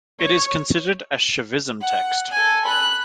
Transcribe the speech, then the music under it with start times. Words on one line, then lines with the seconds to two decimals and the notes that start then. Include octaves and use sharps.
It is considered a Shaivism text.
0.20 C#5
1.82 F#5
2.32 A4 G#5
2.66 B5 F#6